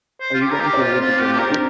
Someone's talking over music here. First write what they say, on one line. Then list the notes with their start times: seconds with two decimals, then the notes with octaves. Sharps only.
Are you going to live with your mother?
0.21 C5
0.35 F4
0.41 G4
0.51 A#4
0.60 G4
0.73 C5
0.80 F4
0.99 C4 F4
1.20 G4
1.33 G4
1.39 C4 A#4
1.50 D4